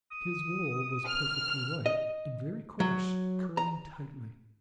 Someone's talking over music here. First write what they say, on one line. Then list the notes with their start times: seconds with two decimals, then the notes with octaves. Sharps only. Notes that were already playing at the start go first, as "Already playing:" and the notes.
His wool was perfectly white, and very coarse, curling tightly.
0.11 D#6
1.06 F6
1.86 D#5
2.80 F#3
3.57 A#5